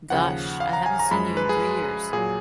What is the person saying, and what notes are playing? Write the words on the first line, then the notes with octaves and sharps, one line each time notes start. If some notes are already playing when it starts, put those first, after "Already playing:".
Gosh I haven't seen you in three years.
D#2 C#3 F3 F#5
F5
A#5
G#5
A#5
F#2 F3 G#3 B5
B4
G#4
A#2 F#3 G#4